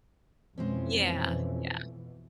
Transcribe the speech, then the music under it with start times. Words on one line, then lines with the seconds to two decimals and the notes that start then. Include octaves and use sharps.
Yeah. Yeah.
0.58 F2 B2 E3 G#3 C4 C#4